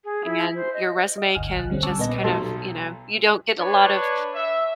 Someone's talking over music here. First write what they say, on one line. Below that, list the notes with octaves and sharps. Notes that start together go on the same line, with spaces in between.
and your resume can just kind of, you know you don't get a lot of
G#4
E4
C5
D#5
D#5 F#5
G1 D2 G#5 F6
B1 F#6
D3 G3 C4 C#4
G#5 A5 C#6 D6 E6
A#2 B3 B4 D#5 A#6
B1 F#3 A4 A5 C6
D4 B4 C#5
E5